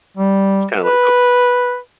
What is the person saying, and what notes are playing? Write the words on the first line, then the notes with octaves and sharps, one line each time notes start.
it's kind of like oh
G3
B4